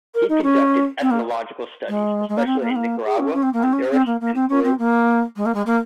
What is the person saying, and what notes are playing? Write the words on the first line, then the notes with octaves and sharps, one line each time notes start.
He conducted ethnological studies, especially in Nicaragua, Honduras and Peru.
A#4
D#4
C#4
C4
A#3
G#3
G#3
A#3
C4
A#3
C4
A#3
G#4
C#4
C#4
C4
A#3
C4
C#4
C4
A#3
A#3
C4
C#4
C4
A#3
G#3
A#3
G#3
A#3